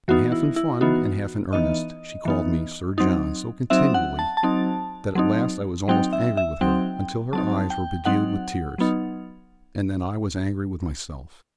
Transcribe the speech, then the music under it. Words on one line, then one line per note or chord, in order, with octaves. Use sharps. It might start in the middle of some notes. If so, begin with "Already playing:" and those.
And half in fun, and half in earnest, she called me 'Sir John' so continually, that at last I was almost angry with her; until her eyes were bedewed with tears; and then I was angry with myself.
E3 B3 D#4 F#4
E4
E4
E3 B3 D#4 F#4
E3 B3 D#4 D#5
E3 B3 D#4
F#3 C4 D#4
F#3 C4 D#4 E5
F#5
A5
A5
F#3 C4 D#4
F#3 C4 D#4
F#3 C4 D#4 G5
E5
E5
F#3 C4 D#4 G5
F#3 C4 D#4 A5
G5
F#3 C4 D#4 F#5
F#3 B3 D#4